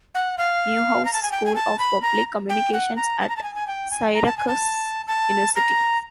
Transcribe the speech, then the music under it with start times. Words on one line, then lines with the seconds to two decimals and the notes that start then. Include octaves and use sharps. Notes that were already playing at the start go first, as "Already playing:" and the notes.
Newhouse School of Public Communications at Syracuse University.
0.15 F#5
0.38 F5
1.05 A#5
1.13 A5
1.23 G#5
1.32 G5
1.46 G#5
1.56 A5
1.79 B5
2.02 A#5
2.49 G5
2.73 F#5
2.96 A#5
3.20 A5
3.29 A#5
3.37 A5
3.43 G#5
3.55 G#5
3.67 G5
3.91 G#5
4.14 A#5
4.26 A5
4.38 G#5
4.48 A5
5.08 A5
5.56 A#5